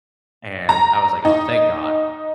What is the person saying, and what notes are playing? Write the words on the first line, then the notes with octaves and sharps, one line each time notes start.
and I was like, "Aw, thank god,"
A#5
D#4